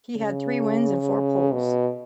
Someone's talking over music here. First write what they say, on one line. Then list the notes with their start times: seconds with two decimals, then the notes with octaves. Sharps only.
He had three wins and four poles.
0.17 C#3
1.52 B2